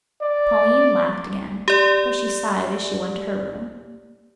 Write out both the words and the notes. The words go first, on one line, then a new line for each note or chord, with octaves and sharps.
Pauline laughed again, but she sighed as she went to her room.
D5
G4 D5